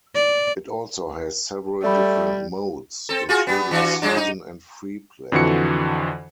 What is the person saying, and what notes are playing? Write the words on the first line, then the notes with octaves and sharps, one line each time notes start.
It also has several different modes including season and free play.
D5
G3 A3 D5 B5
C4 A4
F4 F#4 G#4
G3 B3
E3 D4 F#4
F3 G#3 D4
D#4
F2 D3 E3 F#4 C#7